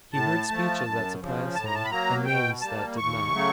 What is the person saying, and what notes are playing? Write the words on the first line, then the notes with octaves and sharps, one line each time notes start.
He heard speeches that surprised him, and names that did not.
A2 A5
F3 A3
F#2
C#3 F3
A2 A5
A#5
A5
B5
F#3 A#3 A#5
B2 G5
G3 A#3 A5
D#2 C#6
C#3 F#3 A3